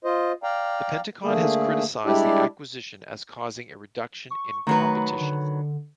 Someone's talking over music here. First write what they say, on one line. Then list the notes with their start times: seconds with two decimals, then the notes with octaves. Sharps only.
The Pentagon has criticized the acquisition as causing a reduction in competition.
0.04 F4 C5 D#5
0.43 D5 F5 G5 A#5
1.24 D3 A3 A#3 G#4
2.06 G3 G#3 D4 E4 G4 D5
4.31 C#6
4.67 D#3 F#3 A3 B4
5.20 D3